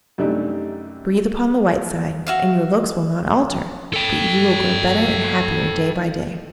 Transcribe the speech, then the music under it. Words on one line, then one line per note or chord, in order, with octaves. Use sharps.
Breathe upon the white side and your looks will not alter, but you will grow better and happier day by day.
F#2 C3 G3 A3 D4 D#4
F#4 E5 F5
A4 G5